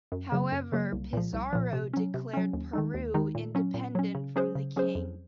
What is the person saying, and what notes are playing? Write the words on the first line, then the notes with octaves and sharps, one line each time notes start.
However, Pizarro declared Peru independent from the King.
F#2
C#3 F#3 A#3
F#2
C#3 F#3 A#3
C2
A#2 F3
C2
A#2 F3
C3
F#3 C#4
C3
F#3 C#4
D#2
D#3 G#3 D#4
D#2
D#3 G#3 D#4
A#2
F#3 C#4
A#2
F#3 C#4
C#3
F#3 C#4 G#4 C5
C#3
F#3 C#4 G#4 C5
F2